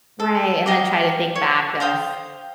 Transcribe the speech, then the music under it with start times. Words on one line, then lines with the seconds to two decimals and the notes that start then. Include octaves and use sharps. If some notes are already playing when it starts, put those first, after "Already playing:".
Right, and then try to think back of,
0.20 A4
0.66 G4 D#5 F5 D6
1.35 C#5
1.80 C5 F5 G5 D#6